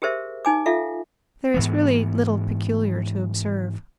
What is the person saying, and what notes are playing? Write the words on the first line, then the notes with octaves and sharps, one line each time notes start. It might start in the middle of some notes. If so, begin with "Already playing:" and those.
There is really little peculiar to observe.
G4 G#4 A#4 C5 E5
D#4 G#5 D6
F4 A4 E5 F5
G#2 E3 B3